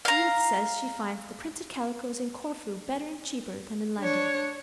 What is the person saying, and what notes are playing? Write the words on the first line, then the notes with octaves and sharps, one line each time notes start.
'Edith says she finds the printed calicoes in Corfu better and cheaper than in London.'
F5 A#5
D4 C#5